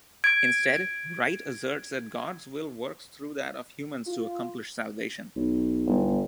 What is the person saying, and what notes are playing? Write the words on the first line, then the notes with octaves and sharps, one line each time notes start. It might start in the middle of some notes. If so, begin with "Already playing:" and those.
Instead, Wright asserts that God's will works through that of humans to accomplish salvation.
G#6 D7
F4
B1
G1